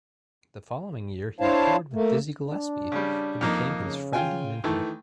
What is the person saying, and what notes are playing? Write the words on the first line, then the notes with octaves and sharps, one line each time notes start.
The following year he toured with Dizzy Gillespie, who became his friend and mentor.
D4 E4 C5 C#5 F5 A5
A3 A#3
D4
C#3 G3
F2 A#3 D#4
C#3
F4 G5 G#5
D#3 E3 A3